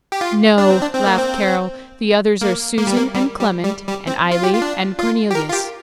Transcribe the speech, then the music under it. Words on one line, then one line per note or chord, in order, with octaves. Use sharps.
"No," laughed Carol, "the others are Susan, and Clement, and Eily, and Cornelius."
G4
F4
D4
C4
D4
C4
A#3
C4
A#3
A#3
G3
A#3
G3
G3
G3
G3
C4
F4
G4
F4
D4
F4
G4
A#4
F4
G4